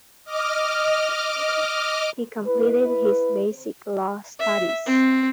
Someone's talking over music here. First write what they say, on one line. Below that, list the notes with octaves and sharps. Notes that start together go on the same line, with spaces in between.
He completed his basic law studies.
D#5 D6 F6
E4 B4
E5
C4